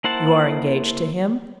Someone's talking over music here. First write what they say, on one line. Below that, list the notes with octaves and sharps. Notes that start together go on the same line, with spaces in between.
"You are engaged to him?"
A#3 E4 C5 F#5 A5